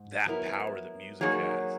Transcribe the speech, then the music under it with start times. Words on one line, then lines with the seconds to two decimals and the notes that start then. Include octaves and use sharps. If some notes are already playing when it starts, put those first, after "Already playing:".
that power that music has.
Already playing: G#2
0.26 F#3 B3 E4 A#4
1.21 F#3 A#3 D#4 G#4 C#5